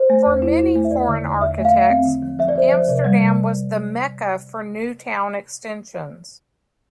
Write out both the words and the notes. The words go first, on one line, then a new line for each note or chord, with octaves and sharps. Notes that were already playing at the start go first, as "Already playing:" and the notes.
For many foreign architects, Amsterdam was the "Mecca" for new town extensions.
Already playing: C5
A3
E2
E4
E4
A3
E5
E2 D5
D3
E2
E2 E5
A3
F5
A3
C4
D3
F3
F3 E5
D5
F3 C5
F3 D5
C3 D5
G3
C3